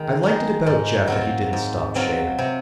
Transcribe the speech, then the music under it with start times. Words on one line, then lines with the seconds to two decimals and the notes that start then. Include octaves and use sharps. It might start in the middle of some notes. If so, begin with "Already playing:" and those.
I liked it about Jeff that he didn't stop shaving.
Already playing: D#3 G#3
0.23 G#3 D#4
0.67 G#2
1.08 F#3 C4 F4
1.53 G#2
1.95 F#3 C4 F4
2.39 C3